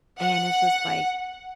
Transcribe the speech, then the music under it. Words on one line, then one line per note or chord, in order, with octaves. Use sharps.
and it's just like,
F#5